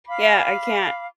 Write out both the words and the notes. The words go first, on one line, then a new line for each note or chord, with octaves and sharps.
yeah I can't,"
F5 B5 D6